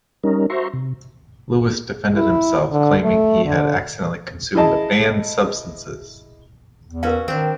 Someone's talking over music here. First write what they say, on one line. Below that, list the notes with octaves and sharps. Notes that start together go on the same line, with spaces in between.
Lewis defended himself, claiming that he had accidentally consumed the banned substances.
G3 C#4 D#4 A#4
F#4 C5 E5 A#5 C6 C#6
C3
E4
D3
A3
D3
E4 G#4 D#5 A5
E2
C#4 F#4 A#4 B4 F5
D#3 C4 D4